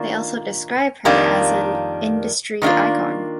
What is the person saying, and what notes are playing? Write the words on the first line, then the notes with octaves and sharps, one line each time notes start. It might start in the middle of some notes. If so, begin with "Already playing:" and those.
They also describe her as an "Industry Icon".
Already playing: D#3 A#3 D4 F4
F2 D#3 G3 A#3 D4
D#3 A#3 D4 F4